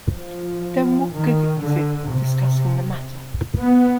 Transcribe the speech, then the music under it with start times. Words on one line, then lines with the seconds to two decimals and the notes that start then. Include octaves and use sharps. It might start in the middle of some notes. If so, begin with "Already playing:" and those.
Then what good is it discussing the matter?
0.14 F3
1.13 D#3
1.62 D3
2.11 C3
3.59 B3